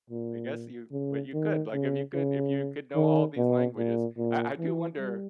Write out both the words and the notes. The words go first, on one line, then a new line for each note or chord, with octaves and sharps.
I guess you but you could, like, if you could if you could know all these languages, I I do wonder
A#2
C#3
D#3
C#3
C#3
D#3
B2
A#2
A#2
E3
G3